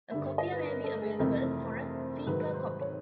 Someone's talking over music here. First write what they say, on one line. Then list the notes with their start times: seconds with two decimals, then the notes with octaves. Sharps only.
A copier may be available for a fee per copy.
0.11 G2 D3 G3 A#3 E5
0.25 E5
0.38 D#5
0.52 B4
0.65 A#4
0.84 A4
1.02 G#4
1.19 F2 C3 E3 A3 C4 A#4
2.26 G#2 D#3 F#3 B4
2.41 B4
2.54 C5
2.67 C5
2.81 C#5